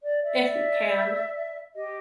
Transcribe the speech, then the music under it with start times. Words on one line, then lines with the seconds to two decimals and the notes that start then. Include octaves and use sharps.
If you can.
0.01 D5
0.23 D5 E5
1.76 G4 D#5